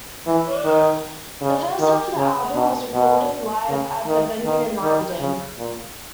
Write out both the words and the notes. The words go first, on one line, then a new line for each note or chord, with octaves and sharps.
The first half of the album was recorded live at The Venue in London.
E3
D#3
C#3
D#3
C#3
B2
B2
C#3
D#3
D#3
D#3
C#3
A#2